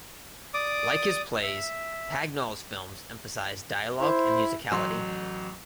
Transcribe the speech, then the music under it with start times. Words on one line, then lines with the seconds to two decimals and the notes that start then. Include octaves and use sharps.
Like his plays, Pagnol's films emphasize dialogue and musicality.
0.54 D5 D6 D#6
1.43 E5
4.01 E4 C5
4.71 A1 F#3 C6